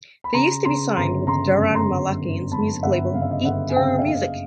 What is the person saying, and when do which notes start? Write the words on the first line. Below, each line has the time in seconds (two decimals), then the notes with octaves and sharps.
They used to be signed with Daron Malakian's music label EatUrMusic.
0.24 B5
0.34 C#3 A#5 C6
0.65 C#3 A#5 C6
0.96 G1 A#5 C6
1.27 C#3 A#5 C6
1.58 F#2
1.74 A#5 C6
1.89 G1
2.21 G1
2.52 F#2 A5 B5
2.83 G1 E5 F#5
3.14 C#3 F5
3.22 E5
3.30 D#5 F5
3.45 G1 E5 F#5
3.69 G#5
3.76 C#3 F5 G5
3.99 E5
4.07 F#1 D#5 F5